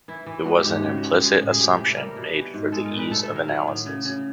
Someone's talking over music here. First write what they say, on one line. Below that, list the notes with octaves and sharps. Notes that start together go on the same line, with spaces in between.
It was an implicit assumption made for the ease of analysis.
E3 E4
E3
G#3 F#4
G4
G#2
F#4
C#3 G4
F#4
G#3
G4
G#3 F#4
A2
G#4
C3 G4
G4
E3
A4
G3 A#4
B2
E3
G#2
G#3 A4
A#4
A#2
B4
A3 A4
A4
D#3
A#4
F#3
A2
C#3
C#3